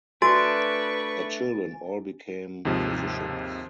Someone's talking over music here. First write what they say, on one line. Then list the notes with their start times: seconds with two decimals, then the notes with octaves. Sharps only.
Their children all became physicians.
0.22 A3 D4 F#4 B4 G#5 C#6 A6 D7
2.65 D#2 G#2 C3 F3